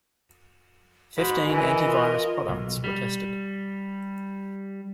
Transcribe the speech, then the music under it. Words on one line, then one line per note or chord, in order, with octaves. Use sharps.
Fifteen anti-virus products were tested.
G#2 F#4 B5
E3 A#4 D#5 G#5
F4
B1
G3